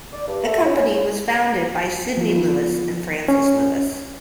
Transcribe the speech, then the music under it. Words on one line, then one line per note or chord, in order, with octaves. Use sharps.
The company was founded by Sydney Lewis and Frances Lewis.
D5
G2
A3
C#4
F3 B3 F4
C#4